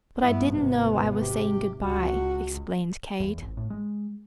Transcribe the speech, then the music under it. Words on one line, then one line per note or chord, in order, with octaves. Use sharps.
"But I didn't know I was saying good-bye," explained Kate.
G2 B3 E4
G#1 C3 B3
G4
C#2 F#4
E2
G#1
A2
G#3